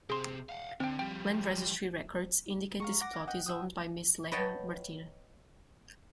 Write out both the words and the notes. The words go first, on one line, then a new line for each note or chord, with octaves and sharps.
Land registry records indicate this plot is owned by Miss Leah Martina.
C3 C4 G#4 C6
F5 F#5
D3 C4 G5
F3 G3 G5
G#3 F5 A#5 C#6
F#5 D6 A#6
F5 G#5
D#5 F#5 G5
E5 G5 D#6
B4 C#5 D#5 F#5 G5 A5